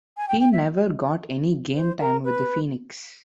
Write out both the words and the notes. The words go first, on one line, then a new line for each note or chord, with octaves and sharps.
He never got any game time with the Phoenix.
G#5
G5
G5
E5
C5
A#4
B4